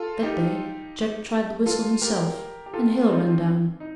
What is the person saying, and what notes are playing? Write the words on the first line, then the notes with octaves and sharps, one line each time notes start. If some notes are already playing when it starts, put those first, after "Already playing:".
That day Jack tried the whistle himself and Hale ran down.
Already playing: F4 A4
D#4 G4
F4 A4
G4 A#4
G4
F4 A4
C4 D#4
D#4